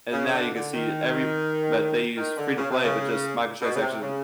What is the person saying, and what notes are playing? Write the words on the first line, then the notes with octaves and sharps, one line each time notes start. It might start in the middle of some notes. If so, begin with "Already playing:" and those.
and now you can see every but they use free-to-play but just microtransactions
C#3
D3
D3
D#3
D#3
D3
C#3
C3
C#3
B2
C#3
C3
C#3